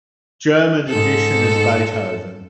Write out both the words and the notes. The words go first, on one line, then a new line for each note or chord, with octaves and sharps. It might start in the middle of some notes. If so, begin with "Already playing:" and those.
German edition as Beethoven.
G#2 A4